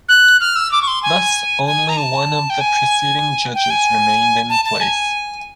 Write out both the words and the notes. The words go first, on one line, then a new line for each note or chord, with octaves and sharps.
Thus, only one of the preceding judges remained in place.
F#6
F6
E6
D6
C#6
C6
G#5
G#5
A#5
A5
G5
G#5
G5
G#5
A5
A5
G#5